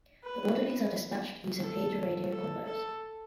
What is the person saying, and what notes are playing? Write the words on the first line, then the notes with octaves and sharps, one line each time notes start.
The orderlies are dispatched using pager-radio combos.
B4
A4
A4
A4